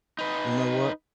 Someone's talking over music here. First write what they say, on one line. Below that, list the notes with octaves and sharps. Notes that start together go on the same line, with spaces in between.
"You know what?
D#4 B4